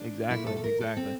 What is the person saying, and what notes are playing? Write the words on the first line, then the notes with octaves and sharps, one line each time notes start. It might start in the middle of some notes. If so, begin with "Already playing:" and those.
Exactly, exactly.
Already playing: D4
A#2 A3 E4
A4
A4
A#4
A4
C4